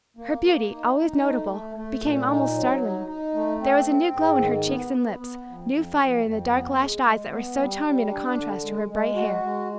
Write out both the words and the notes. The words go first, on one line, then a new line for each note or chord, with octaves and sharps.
Her beauty, always notable, became almost startling; there was a new glow in her cheeks and lips, new fire in the dark lashed eyes that were so charming a contrast to her bright hair.
A#3
A#3
D#4
D#4
A3
A3
A3
A#2
D#4
F#3
D#4
D#4
A3
C4
C4
G#2
D#3
B3
B3
B3
F2
F2
F2
F2
B3
G#3
G#3
B3
G3
G3
D4
D3
G#3
G#3
F#4
G#3